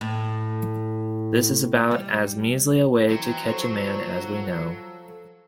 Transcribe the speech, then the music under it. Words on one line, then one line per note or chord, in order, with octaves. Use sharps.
This is about as measly a way to catch a man as we know.
A2
G3
E3 F#3 C4 G5
F3 A4 C5 C#5